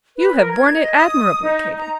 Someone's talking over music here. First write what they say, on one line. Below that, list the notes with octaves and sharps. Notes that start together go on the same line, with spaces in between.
You have borne it admirably, Katy.
B4
A#4
G#6
D#5
D#6
D#4
A#5